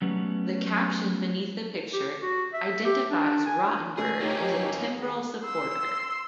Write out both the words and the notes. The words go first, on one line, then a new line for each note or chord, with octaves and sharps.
The caption beneath the picture identifies Rotenberg as a Timbrell supporter.
F#3 G3 A3 B3 C#4
G4
F#4
E5
G4
D4
G#5
A3 G#4
A#3 C#4 D#4 G4 C#5
D#3 G#4
C6 E6